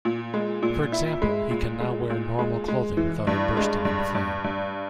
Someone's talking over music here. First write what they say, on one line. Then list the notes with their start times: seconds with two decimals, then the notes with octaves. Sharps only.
For example, he can now wear normal clothing without it bursting into flame.
0.05 A#2
0.34 G#3
0.62 A#2
0.92 E4
1.22 G#3
1.51 A#2
1.80 G#3
2.10 A#2
2.39 G#3
2.68 G#3
2.97 E3
3.27 G2
3.57 G#3
3.85 G2
4.15 G2
4.44 G2